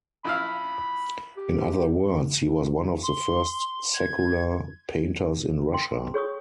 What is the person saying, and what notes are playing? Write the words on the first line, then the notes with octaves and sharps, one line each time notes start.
In other words, he was one of the first secular painters in Russia.
A#1 E4 F5 B5
G4
C6
G#6
G5 C6
G#4 C#5 C#6 D#6